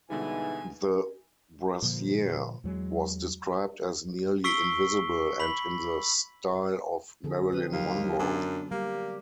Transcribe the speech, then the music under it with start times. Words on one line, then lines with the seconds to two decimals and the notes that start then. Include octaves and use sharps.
The brassiere was described as "nearly invisible" and in the style of Marilyn Monroe.
0.10 G#2 B2 D3 E3 G3 G#5
1.82 A#2 D3 F3 A#3
2.64 E2 F#3 G#3
4.44 C#6 E6 B6 C7 D7 G7
5.40 B5 B6 F#7
7.24 D3 G#4 A4
7.52 C4 B4
7.72 D#2 F#3 G4 F5
8.19 F#2 B3 D4
8.71 G3 A#3 G4